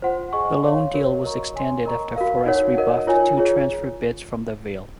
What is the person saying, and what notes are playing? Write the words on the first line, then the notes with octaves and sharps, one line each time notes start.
The loan deal was extended after Forest rebuffed two transfer bids from the Vale.
F4 C5 F#5 C6
G#4 D#5 G#5 C#6
C#5 F5 C6
F#4 A#4 C#5
A#4 D#5 A#5 C#6
C#5 G#5 C6
A#4 D#5 A#5 C#6
F#4 A#4 F5
D#4 F#4 A#4 C#5 F#5
D#4 A#4 D#5
F4 A#4 C#5 G#5
F4 G#4 C#5